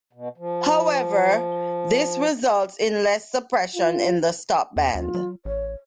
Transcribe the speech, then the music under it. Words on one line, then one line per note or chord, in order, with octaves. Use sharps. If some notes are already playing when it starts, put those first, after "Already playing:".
However, this results in less suppression in the stopband.
B2
F3
F4
E2
D#2 F4
F#3
A1 C#5